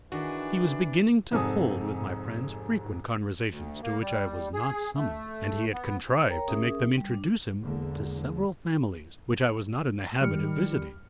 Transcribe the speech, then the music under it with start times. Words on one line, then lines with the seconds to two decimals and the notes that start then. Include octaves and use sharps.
He was beginning to hold with my friends frequent conversations to which I was not summoned, and he had contrived to make them introduce him to several families which I was not in the habit of visiting.
0.12 D#3 E3 D4 F#4 G#4
1.32 F1 G#2 C4 A4 G#5 D#6
3.49 D2
3.83 A#3
4.01 G3
4.54 G#4
4.96 A3
5.73 B3
6.27 A#4 C#5 G5 A#5
6.48 C#4 G#4 A#4 E5 D#6
6.98 G3
7.11 D4
7.61 E2 D3 G#3 A#3
10.21 D#3 G3 F6 C#7